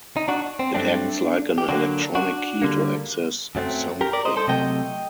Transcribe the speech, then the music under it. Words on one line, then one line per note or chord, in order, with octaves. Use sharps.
It acts like an electronic key to access something.
D#4
D4 F#4
C4
G2 F#3 A3 C4 D4
G4
D3 F#3 A#3 D4 F#4
D4 F#4
D3 G3 A#3
F#2 F#3 A3 C4
G4 A#4
A#4 D5
C5 D#5
A4 C5
C3 F#3 A3 D#5 G5